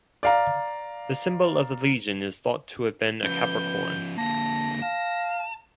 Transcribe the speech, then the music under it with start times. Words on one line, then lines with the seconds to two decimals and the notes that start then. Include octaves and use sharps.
The symbol of the legion is thought to have been a capricorn.
0.23 D5 F5 A#5
3.24 F3 C#4 B4 G6
4.18 D3 A#3 A5 A#6
4.82 F5 A5